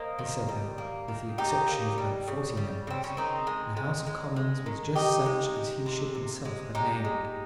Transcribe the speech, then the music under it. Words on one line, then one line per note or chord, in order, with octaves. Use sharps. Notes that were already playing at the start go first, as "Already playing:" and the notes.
He Said that, with the exception of about forty members, the House of Commons was just such as he should himself have named.
Already playing: A#3 C5 D#5
D#3
G3
A#3
D#3
C#3 D#4 G4
A#3
G3
C#3
G3
C#3 C4
C#4
D#3 C4 D#4
G#3
G#3
G#3
G#3
D#3
C3 D#4 G4
G#3
G#3
C3
C3
G#3
G#3 D#4 G4
G#3